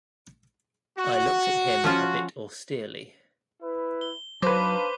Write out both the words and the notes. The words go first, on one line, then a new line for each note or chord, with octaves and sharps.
I looked at him a bit austerely.
F#4
F3 C#4 F4
E4 B4
G7
F#3 D4 D#4 B4 C5 F5 D6